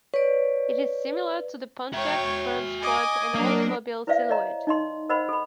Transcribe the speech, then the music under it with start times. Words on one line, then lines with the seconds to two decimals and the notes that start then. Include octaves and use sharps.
It is similar to the Pontiac Trans Sport and Oldsmobile Silhouette.
0.14 B4 C#5 D5
1.93 F#4 C#5 E5 G5
2.82 D#5 G#5 D6
3.35 F#3 A#3 D4 A#4
4.07 E4 B4 C5 D5 E5 F5
4.29 C#5 D#5 A#5
4.67 D#4 D#5 C6
5.09 A#4 C5 D#5 F#5 B5
5.29 A4 B5